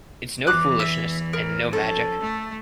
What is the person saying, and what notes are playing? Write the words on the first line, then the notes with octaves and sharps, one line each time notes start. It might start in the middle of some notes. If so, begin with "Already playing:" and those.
It's no foolishness, and no magic.
E2 E3 D6 F#6
E5
A#4
F3 C#4 A4
A3